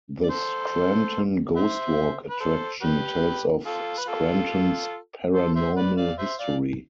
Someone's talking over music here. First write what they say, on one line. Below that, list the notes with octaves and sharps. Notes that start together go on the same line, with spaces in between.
The Scranton Ghost Walk attraction tells of Scranton's paranormal history.
D5
A4 C5
C5 E5
B4
A4 C5
G4 B4
F4 A4
B4
F4 A4
A4 C5
C5 E5
B4 D5
D5 F5
C5 E5
D5 F5